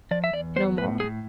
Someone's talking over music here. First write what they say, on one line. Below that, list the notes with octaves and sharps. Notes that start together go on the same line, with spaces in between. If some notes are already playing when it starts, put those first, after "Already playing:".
"No more."
F3 D5
E5
E2 D5
B3 C5
A2 B4
A2 G#4